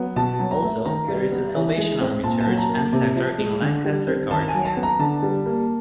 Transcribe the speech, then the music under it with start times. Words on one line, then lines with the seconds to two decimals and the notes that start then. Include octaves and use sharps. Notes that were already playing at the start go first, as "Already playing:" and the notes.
Also, there is a Salvation Army church and centre in Lancaster Gardens.
Already playing: F#3 B3
0.16 B2 A5
0.39 F#3
0.51 A#5
0.63 A3
0.85 D#3 A#5
1.08 G3
1.32 B3
1.54 E3
1.77 G#3
2.00 C4
2.24 A#2 A5
2.40 A5
2.46 F#3
2.57 A#5
2.69 A#3
2.75 A5
2.93 C3
3.16 F3
3.38 G#3
3.62 D3
3.85 G3
4.07 C4
4.31 D#3 A5
4.48 G#5
4.54 F#3
4.65 A5
4.77 B3
4.83 A#5
4.99 D3 A5
5.23 G3
5.46 A#3